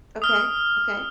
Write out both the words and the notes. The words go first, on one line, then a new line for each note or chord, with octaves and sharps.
Okay, okay.
D#6 F6